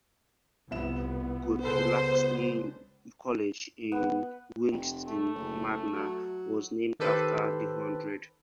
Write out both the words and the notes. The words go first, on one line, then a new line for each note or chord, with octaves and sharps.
Guthlaxton College in Wigston Magna was named after the hundred.
C2 F3 B3 E4 E7
C#2 G3 G#4 A4 B4 C5
B3
F1
A3
F#1
F#3
D#3 G4 A4 B4 C5